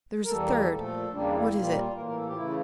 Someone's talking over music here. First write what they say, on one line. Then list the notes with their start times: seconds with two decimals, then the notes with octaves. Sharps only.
There is a third. What is it?
0.25 A#4
0.30 E2 E3 G3 A#3 A4
0.44 A#4
0.58 A4
0.71 A#2 F3 A3 A4
1.13 E2 C#3 G3 A#3 D4
1.33 E4
1.53 A#2 G3 A#3 F4
1.75 F4
1.95 A2 E3 A#3 A#4
2.05 A#4
2.16 A4
2.26 G4
2.31 F4
2.36 C#3 E3 A3 E4